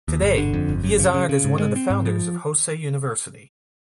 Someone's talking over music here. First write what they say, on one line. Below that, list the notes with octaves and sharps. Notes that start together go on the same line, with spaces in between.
Today, he is honored as one of the founders of Hosei University.
D#2
G1
D3
F2
G1
F#2
C#3
C#3
C#3
G#2
G#3
C4
G#2
F3